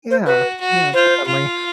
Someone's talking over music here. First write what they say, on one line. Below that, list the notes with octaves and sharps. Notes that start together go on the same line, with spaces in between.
Yeah, yeah, definitely.
C5
F#4 B4
F#4
F4 C5
F4